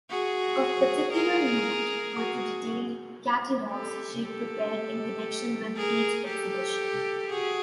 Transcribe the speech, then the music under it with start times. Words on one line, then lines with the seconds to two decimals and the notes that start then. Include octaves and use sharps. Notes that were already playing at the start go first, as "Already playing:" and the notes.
Of particular note were the detailed catalogues she prepared in connection with each exhibition.
0.10 F#4 G#4
1.14 G#4 A#4
2.16 F#4 G#4
3.70 G4 A4
4.22 G4 A4
5.76 G#4 A#4
6.27 G4 A4
7.30 F#4 G#4